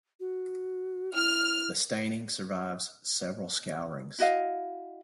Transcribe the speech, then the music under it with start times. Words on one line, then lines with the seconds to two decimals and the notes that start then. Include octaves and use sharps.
The staining survives several scourings.
0.20 F#4
1.15 E4 F6
4.19 E4 F#4 D#5 F5